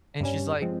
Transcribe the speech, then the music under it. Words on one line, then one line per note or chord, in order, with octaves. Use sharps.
And she's, like,
G2 G3 C#4
F3 G#3 C4